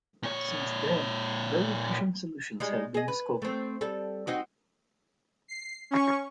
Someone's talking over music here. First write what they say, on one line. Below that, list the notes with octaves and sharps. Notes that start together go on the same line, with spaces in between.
Since then, very efficient solutions have been discovered.
A#2 C#5
G3 G#3 D#4
G#4 D#5
B4
A3 C4
G3 A4
C4 D#4 F#4
C7
C#4 C#6